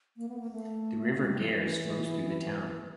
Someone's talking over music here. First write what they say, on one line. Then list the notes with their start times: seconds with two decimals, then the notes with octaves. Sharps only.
The River Gers flows through the town.
0.17 A#3
0.29 B3
0.40 A#3
0.51 A3
1.19 G#3
1.31 G3
1.42 F3
1.54 E3